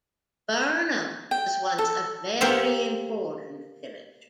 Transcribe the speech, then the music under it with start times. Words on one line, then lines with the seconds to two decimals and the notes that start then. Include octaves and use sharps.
Burnham was once a very important village.
1.31 G5
1.78 A4
2.41 A#3 G4 C5 E5